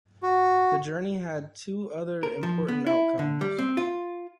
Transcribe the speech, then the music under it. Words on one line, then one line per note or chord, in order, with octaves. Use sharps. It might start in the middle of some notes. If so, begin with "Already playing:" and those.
The journey had two other important outcomes.
F#4
A#4
F3
B3
E4
D3
G3
C4
F4